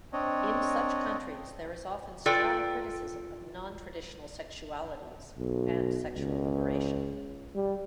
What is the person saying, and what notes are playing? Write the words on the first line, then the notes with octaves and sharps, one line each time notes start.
In such countries there is often strong criticism of non-traditional sexualities and sexual liberation.
C4 D4 C#5 D#5
F4 A4 B4 D5 G5
B1
C#2
G3